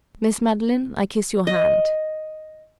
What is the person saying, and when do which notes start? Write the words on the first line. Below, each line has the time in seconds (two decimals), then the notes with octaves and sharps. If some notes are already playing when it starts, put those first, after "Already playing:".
Miss Madeline, I kiss your hand.'
1.47 D#5